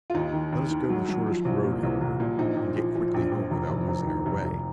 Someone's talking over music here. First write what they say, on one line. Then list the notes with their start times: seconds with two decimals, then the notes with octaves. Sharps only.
Let us go the shortest road, however, and get quickly home without losing our way.
0.10 F4
0.14 D#2 D#4
0.33 D#3
0.52 D#2
0.70 D#3
0.90 F#3
1.09 F#3
1.26 F3
1.45 C2
1.65 A#2
1.83 C2
2.01 C2
2.20 A#2
2.38 A#1 D#4
2.57 A#1
2.76 F3
2.95 F3
3.14 A#1
3.32 A#1
3.51 F1
3.70 F1
3.88 F1
4.07 D#3
4.26 F1
4.44 F1